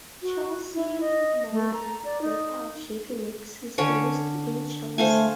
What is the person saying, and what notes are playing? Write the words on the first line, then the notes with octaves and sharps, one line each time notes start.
Chelsea Milling, maker of Jiffy Mix, is based in Chelsea.
F#4
E4
D#5
A3
A#5
D5
D#4
D3 C#4 C#5
A3 C5 F5 G#5